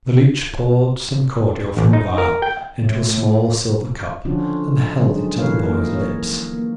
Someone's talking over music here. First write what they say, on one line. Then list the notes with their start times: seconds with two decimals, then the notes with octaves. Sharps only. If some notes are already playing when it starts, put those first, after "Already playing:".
The leech poured some cordial from a vial into a small silver cup and held it to the boy's lips.
1.77 A1
1.93 D#4
2.18 A#4
2.42 G5
2.81 A2
4.25 D3 F3 C#4 D4 F4 F#4
4.99 D3 F#3 G#3 C4 C#4 D#4
5.38 E3 G#3 A#4 B4 C#5 F5
5.64 A#3 D#4 A#4
5.95 C#5
6.54 A#3